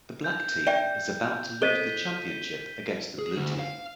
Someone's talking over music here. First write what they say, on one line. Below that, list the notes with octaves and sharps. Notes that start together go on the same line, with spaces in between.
The black team is about to lose the championship against the blue team.
G6
D5 E5 G5
A4 C5 D#5 B6 D#7 G7
G#4
D2
F5